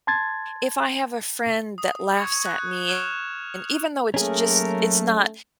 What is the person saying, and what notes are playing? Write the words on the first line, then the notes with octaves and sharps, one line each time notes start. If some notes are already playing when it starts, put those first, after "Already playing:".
if I have a friend that laughs at me, and even though it's just, it's not
A5 C6 G#6 A6
D#6
C#6 G#6 C#7
F#6
C#6 F6 F#6 G#6 E7 F7
F#3 A3 A#3 C#4 G#4 A#4